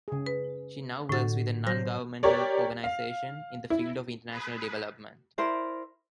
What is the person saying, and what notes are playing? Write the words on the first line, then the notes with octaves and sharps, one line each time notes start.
She now works with a Non-governmental organization in the field of international development.
C#3 G#4
B4
A2 D3 F#4 A6
F#3 C5 A#6
G4 A#4 C#5 D5
F5
E4
E4 A#4 C5 D5